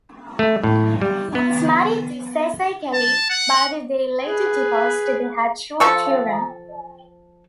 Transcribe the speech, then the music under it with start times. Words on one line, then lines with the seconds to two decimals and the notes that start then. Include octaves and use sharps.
He was married to Casey Kelley, but they later divorced; they had two children.
0.39 A3
0.63 A2
1.01 G3
1.35 B3
2.93 A5
3.30 F#5
4.24 G#4 B4
5.80 F3 A4 C#6